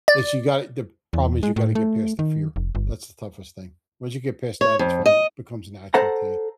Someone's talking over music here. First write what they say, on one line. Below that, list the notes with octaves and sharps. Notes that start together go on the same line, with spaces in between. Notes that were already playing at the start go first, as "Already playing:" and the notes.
this you got the problem is you gotta get past the fear; that's the toughest thing. Once you get past that, it's fine, becomes natural to you.
D5
E2
G#3
A2
A3
D#3
F1
G1
C#5
F2
D#5
A4 C5 F#5 A#5